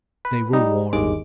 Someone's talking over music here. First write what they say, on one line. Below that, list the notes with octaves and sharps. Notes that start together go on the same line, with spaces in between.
They were warm.
B4
G3 D#4
G1 D#2 G#3 D6